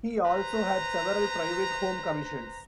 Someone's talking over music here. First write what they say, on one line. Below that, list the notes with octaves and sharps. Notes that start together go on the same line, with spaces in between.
He also had several private home commissions.
B4 C5 A#5